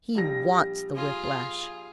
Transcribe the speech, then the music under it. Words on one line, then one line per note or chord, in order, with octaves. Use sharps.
He wants the whiplash.'
A#1 G3 A#6
F4 G#4